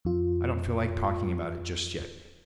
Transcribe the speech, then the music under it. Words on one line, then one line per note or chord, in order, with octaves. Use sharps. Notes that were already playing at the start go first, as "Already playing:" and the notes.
I don't feel like talking about it just yet.
F2 F4